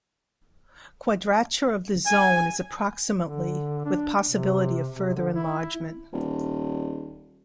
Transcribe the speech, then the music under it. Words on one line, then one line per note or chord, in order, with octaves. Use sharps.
Quadrature of the zone is approximately with possibility of further enlargement.
G#5
D3
D4
C3
C3
D3
E4
D#1